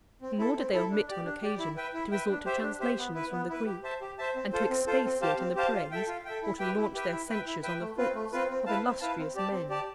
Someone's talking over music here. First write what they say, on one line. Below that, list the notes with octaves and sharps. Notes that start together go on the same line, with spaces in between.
Nor did they omit, on occasion, to resort to translations from the Greek, and to expatiate in the praise, or to launch their censures on the faults, of illustrious men.
C4
E4 A4
C4
E4 A4
D4
G4 D5
D4
G4 D5
E4
B4 E5 G5
E4
B4 E5 G5
D4
G4 C5 E5
D4
G4 C5 E5
B3
E4 B4
B3
E4 B4
G4
C5 E5 A5
G4
C5 E5 A5
C4
F4 A4 C5
C4
F4 A4 C5
C4
G4 C5 F5 A5
C4
G4 C5 F5 A5
F4
A4 E5 G5
F4
A4 E5 G5
E4
G4 B4 E5 G5
E4
G4 B4 E5 G5
E4
B4 E5 G5
E4
B4 E5 G5
A3
C4 F4 B4
A3
C4 F4 B4
C4
E4 B4 F5 A5
C4
E4 B4 F5 A5
C4
G4 D5 A5
C4
G4 D5 A5